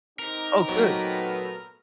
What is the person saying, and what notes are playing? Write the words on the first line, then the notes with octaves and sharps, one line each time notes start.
Oh, good.
C4 D#4 G4 A#4
A#2 F#3 A3 B3